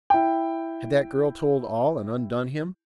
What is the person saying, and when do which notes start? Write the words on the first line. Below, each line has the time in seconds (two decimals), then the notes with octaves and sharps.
Had that girl told all and undone him?
0.10 E4 G5